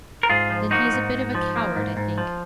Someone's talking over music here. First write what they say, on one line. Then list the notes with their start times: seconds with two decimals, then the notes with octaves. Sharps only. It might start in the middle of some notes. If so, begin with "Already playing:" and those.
'Then he is a bit of a coward, I think.'
0.23 A#4
0.29 G#2 F4 G#4
0.50 F3
0.71 A#3 D#4 F#4
0.93 G#2
1.14 G#2
1.35 F3
1.56 A#3
1.76 G#2
1.97 G#2
2.18 F3